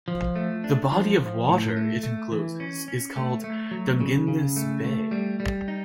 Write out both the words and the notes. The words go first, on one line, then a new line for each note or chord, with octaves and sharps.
The body of water it encloses is called Dungeness Bay.
F3
A3
D4
F3
F3
A2
A3
A3
E3
C#4
C#4
A3
A3
F#3
C#3
C#3
A3
A3
G3
G3
D#4